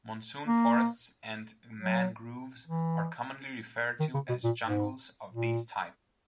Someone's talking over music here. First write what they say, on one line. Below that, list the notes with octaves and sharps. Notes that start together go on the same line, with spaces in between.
Monsoon forests and mangroves are commonly referred to as jungles of this type.
A#3
F#3
E3
D#3
C#3
B2
A#2
G#2
A#2